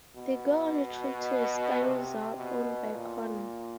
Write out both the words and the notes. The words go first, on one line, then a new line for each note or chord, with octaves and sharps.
They go on a trip to a ski resort owned by Connor.
B2
C3
B2
A#2